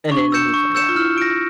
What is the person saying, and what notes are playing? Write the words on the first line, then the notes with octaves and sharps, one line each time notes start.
and then it moves on, yeah.
D4 C#6
E6 G6 C#7 E7
C#6
E6 G6 C#7 E7
F4
E4 F6
F4 A#6 D7